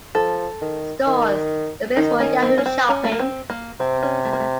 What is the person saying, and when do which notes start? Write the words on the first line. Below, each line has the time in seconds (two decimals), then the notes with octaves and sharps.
Stores, the base for Yahoo Shopping.
0.15 F3 A4
0.61 D#3
1.07 D#3
1.97 D#3 D#4
2.20 C#4
2.43 C4
2.58 C#4
2.66 C4
2.89 C#4
3.04 A3
3.12 A#3
3.19 C4
3.50 A#3
3.80 C3 C4
4.03 C#4
4.25 A3
4.33 A#3
4.40 A3